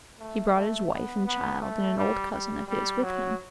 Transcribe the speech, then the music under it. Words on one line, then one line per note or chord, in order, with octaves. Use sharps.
He brought his wife and child and an old cousin of his with him.
A3
A3
B3
B3
A3
G3
G3
G3
F#3